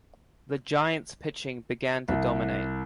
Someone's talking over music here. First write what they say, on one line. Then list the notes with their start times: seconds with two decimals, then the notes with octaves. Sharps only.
The Giants pitching began to dominate.
2.09 C2